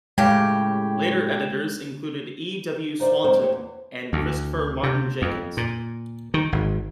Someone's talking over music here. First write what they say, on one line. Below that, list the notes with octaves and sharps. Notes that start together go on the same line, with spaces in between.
Later editors included E. W. Swanton and Christopher Martin-Jenkins.
A2 C#3 G#3 G4 G5 G#6
D#4 C5 D5 F5
F#3 G#3 A#3 C4 C5 D5
G4 C5 C#5
E2
D2
C3
F2
A#2
D#3
G#1